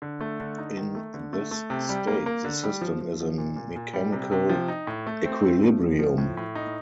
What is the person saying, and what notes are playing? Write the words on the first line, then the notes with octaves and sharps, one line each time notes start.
In this state the system is in mechanical equilibrium.
D3
A3
D3
D#4
D#3
A3
D3
A3
A3
C3
G3
A#3
A#3
D3
G3
F3
F3
F3
A#2
A#2
A#2
G3
C3
C3
F3
D#4
A2
A3
C4
A3
F3
F3
F3
A2
A2
D#4